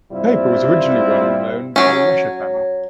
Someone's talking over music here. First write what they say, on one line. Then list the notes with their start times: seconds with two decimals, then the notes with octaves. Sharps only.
The paper was originally run and owned by the Lesher family.
0.12 G2 C3 G3 C4 E4 F4
1.76 F#3 C#4